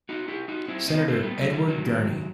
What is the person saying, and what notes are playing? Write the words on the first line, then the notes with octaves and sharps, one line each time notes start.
Senator Edward Gurney.
D#4 F#4
E4 G4
D#4 F#4
C4 E4
B3 D#4
A3 C4
G3 B3
F#3 A3
E3 G3
D#3 F#3